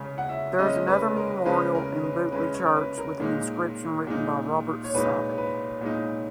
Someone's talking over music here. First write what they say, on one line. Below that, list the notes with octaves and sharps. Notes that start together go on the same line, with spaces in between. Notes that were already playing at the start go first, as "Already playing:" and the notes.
There is another memorial in Butleigh Church with an inscription written by Robert Southey.
Already playing: C#3 G#3 C#4 C#5
F#5
E5
C#3 G#3 C#4 D#5
B4
A#4
C#3 G#3 C#4 B4
A#4
B4
C#3 G#3 C#4 B4
C#5
A#4
B4
A#4
A#2 G#3 D#4
A#2 G#3 D#4
C#5
A#2 G#3 D#4 B4
B4
A#2 G#3 D#4